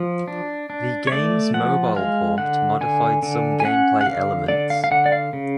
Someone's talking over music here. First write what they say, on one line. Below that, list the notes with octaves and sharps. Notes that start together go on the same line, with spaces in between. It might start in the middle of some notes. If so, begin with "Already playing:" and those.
The game's mobile port modified some gameplay elements.
Already playing: F3
D4
D4
C#5
A3 D5
F3 F#5
G#3 F5
D3 F#5
D3 G#5
D3
G#5
C#4 F#5
F#5
D3 F5
D3 D5
F5
F5
D3 F#5
D5
F5
C#3